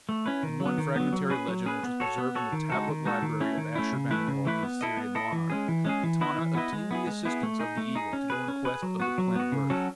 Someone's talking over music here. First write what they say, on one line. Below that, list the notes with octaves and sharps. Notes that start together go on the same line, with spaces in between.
In one fragmentary legend which was preserved in the tablet-library of Ashur-banipal, the Assyrian monarch, Etana obtained the assistance of the Eagle to go in quest of the Plant of Birth.
A3
C#4 E4 B4
D#3
F#3
B3
D#3
F#3 B3
F#3
C#4 G#4 B4
F#3
C#4 G#4 B4
B3
F#4 A4 C#5
B3
F#4 A4 C#5
D#3
G#3 D#4 F#4 A4
D#3
G#3 D#4 F#4 A4
D#3
A3 C#4 E4
D#3
A3 C#4 E4
C#3
E3 A3 E4 B4
C#3
E3 A3 E4 B4
B3
E4 A4 D#5
B3
E4 A4 D#5
E3
G#3 C#4 G#4
E3
G#3 C#4 G#4
E3
B3 E4 B4 D#5
E3
B3 E4 B4 D#5
G#3
B3 E4 G#4
G#3
B3 E4 G#4
A3
D#4 G#4
A3
D#4 G#4
C#4
G#4 B4
C#4
G#4 B4
F#3
B3 F#4
F#3
B3 F#4
C#3
F#3 C#4 F#4 A4